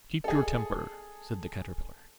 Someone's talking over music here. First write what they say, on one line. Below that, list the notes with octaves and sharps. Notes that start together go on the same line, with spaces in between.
'Keep your temper,' said the Caterpillar.
G#4 A4